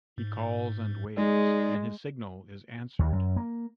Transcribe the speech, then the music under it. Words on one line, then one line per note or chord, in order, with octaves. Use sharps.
He calls and waves, and his signal is answered.
G#2
G#3 D#4 G#4 D5
D#2
F#2
A#3